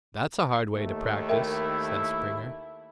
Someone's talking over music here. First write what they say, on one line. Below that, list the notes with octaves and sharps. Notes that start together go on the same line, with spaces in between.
"That's a hard way to practice," said Springer.
D#2 D#3 A3
E4 A#4 E5 G5